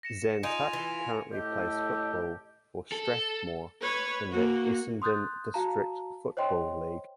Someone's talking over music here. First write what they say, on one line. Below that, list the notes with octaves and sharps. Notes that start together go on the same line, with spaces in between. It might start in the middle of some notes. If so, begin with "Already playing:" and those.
Zantuck currently plays football for Strathmore in the Essendon District Football League.
A#6 C#7 E7
D#4 F4 G#5 D7 D#7 F7
E3
A2 G4 A4 D#5
A4
B4 C#5
A#3 F#4
C6 D#6 F#6 G6 A6
F#4 F5 A5 A#5
C5 C#5 D#5 G5 C6